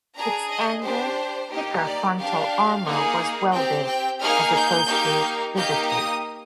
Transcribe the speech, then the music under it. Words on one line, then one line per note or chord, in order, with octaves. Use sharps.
Its angled, thicker frontal armor was welded, as opposed to riveted.
D4 G#4 A#5
D#5
D4 G4 C5
A#3 D#4 G4
D5
D4 G4 F5
A#3 D#4 G#4
C4 G4 G5
G5
A#3 D#4 G#4 F6
G6
A#3 D#4 G4
A#3 D#4 G4 G6
D#6